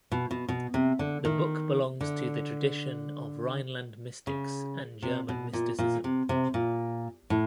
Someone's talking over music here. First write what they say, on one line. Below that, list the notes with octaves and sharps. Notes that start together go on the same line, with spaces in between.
The book belongs to the tradition of Rhineland mystics and German mysticism.
B2
B2
B2
C3
D3
D#3
D3
C#3
C3
B2
A#2
A#2
C3
C3
A#2
A2